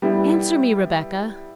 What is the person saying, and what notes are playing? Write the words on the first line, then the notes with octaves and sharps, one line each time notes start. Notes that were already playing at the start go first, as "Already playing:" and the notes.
"Answer me, Rebecca."
G3 B3 E4